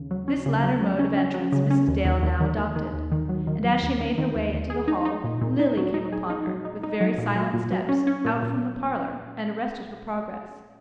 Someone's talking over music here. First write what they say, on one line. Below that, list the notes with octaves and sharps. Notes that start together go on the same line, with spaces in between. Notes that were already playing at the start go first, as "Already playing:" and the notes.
This latter mode of entrance Mrs. Dale now adopted; and as she made her way into the hall Lily came upon her, with very silent steps, out from the parlour, and arrested her progress.
Already playing: D#2 C#3
F#3
C#4
C#3
F#3
F#3
C#4
C#4
F#3
C#3
C#4
D#2
D#2
D#2
D#3
D#2
D#3
D#2
D#3
F#3
D#3
F#3
D#2
D#2
D#3
D#2
D#2
G#4
D#4
D#4
A#2
A#2
D#4
F#3
D#4
G#4
D#4
F#3
D#4
D#4
F#3
A#2
F#3
A#2
F#3
C#4
C#4
A#2
A#2